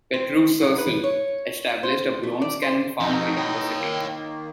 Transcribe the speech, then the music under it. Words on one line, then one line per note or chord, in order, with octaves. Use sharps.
Petru Cercel established a bronze cannon foundry in the city.
C4
F#3
B4
C#5
C5
A3
D5
C5
F2 B2 D#4
C#5 G5
D#3 A#3